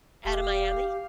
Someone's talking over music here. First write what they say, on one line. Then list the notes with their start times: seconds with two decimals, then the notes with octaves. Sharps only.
Outta Miami?
0.25 E1 G4 F5